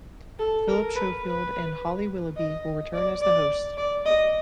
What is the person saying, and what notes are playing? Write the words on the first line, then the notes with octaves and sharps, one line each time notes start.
Phillip Schofield and Holly Willoughby will return as the hosts.
A4
A#4
B4
B4
D#5
D5
D5
D5
D#5